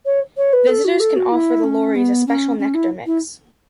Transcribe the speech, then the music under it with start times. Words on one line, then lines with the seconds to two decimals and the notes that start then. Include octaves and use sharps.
Visitors can offer the lories a special nectar mix.
0.06 C#5
0.37 C#5
0.53 B4
0.69 A4
0.85 F#4
1.00 A4
1.16 F#4
1.32 E4
1.64 C#4
1.96 B3
2.27 C#4
2.59 C#4
2.74 E4
3.06 E4